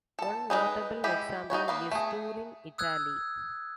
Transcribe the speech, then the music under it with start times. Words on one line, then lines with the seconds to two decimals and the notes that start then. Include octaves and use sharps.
One notable example is Turin, Italy.
0.19 A4 A5
0.50 G#3 D4 D#4 G#4 B4
1.04 G#3 E4 G4
1.50 D#4 F4 F#4 C#5
1.68 A#3 B3 F5
1.91 A3 G#4
2.78 D#6 E6 F#6 G#6